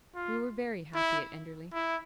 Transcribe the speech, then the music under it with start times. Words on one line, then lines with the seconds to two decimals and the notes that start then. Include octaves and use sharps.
We were very happy at Enderley.
0.15 F4
0.95 E4
1.73 E4